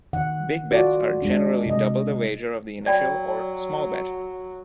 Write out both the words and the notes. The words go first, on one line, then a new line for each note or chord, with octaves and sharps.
Big bets are generally double the wager of the initial or "small bet".
D#3 F#5
F4 F#4 A4 D5
G#3 D4
C3 G#3 D#5
F#3 D5 G5 B5